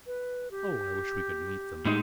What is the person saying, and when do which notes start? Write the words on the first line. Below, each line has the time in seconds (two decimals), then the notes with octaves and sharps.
"Oh, I wish we could meet them."
0.06 B4
0.51 G4
1.85 A2 G#3 D#4